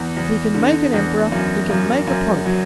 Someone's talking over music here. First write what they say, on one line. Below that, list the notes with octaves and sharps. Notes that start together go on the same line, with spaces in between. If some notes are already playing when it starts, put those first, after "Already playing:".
If he can make an emperor, he can make a pope.
Already playing: E2
E2
D3
E2
F#2
F#2
F#2
F#3